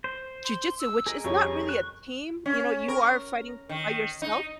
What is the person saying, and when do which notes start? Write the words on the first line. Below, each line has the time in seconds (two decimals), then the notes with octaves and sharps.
jujitsu, which is not really a team, you know, you are fighting by yourself
0.04 C5
0.44 C6
0.79 E6
1.07 G#4 A#4 D#5
1.24 F2 G3 C#4 C#6
1.69 F#6
2.46 C#4
2.88 A#4
3.69 D#3
4.22 D#4